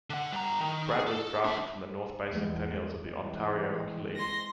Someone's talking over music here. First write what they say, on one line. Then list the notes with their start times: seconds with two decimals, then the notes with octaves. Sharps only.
Brad was drafted from the North Bay Centennials of the Ontario Hockey League.
0.10 D3 F#5
0.32 G2 A#5
0.61 D#3
0.91 G#4
1.07 A4
1.45 D4 E5
2.29 E2 G#3
3.03 E3 G#3 C4
4.16 C6 A#6